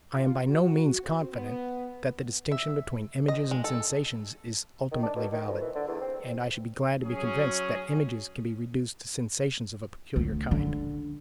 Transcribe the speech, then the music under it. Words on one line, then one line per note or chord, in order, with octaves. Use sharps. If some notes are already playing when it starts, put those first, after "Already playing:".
I am by no means confident that the distinction between images and sensations is ultimately valid, and I should be glad to be convinced that images can be reduced to sensations of a peculiar kind.
F4
F#4
C4
B3
E5
D#5
G#3
A4
D#3
D4
B2
D#3
F2
E3
D3
E2
C4
F#3 C#4 G#4
D2
D3